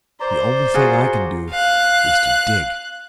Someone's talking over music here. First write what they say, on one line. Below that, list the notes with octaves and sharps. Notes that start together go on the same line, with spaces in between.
The only thing I can do is to dig.'
C5 D5 A#5
F4 F#4 G#4
F5 F#6